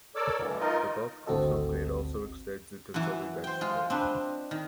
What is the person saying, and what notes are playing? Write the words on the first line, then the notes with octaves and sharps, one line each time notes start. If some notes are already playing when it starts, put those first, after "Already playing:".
The Gulf Coastal Plain also extends into southern Mexico.
A4 A#4 C#5 D5 D6 E6
D2 G2 B2 E3
D#4 F4 A#4 D#5
G#1 D2 C4 F#4 A4 D#5
F#2 E3
C5 G5
G#3 F4
C4 D4 B4
D#3